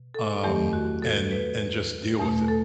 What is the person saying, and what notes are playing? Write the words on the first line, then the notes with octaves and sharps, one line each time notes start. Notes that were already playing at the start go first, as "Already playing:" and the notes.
um, and and just deal with it.
Already playing: B2
A4
E2 D#3 F#3 A3 G4
F#4
A4
B4
E2 B2 A3
A4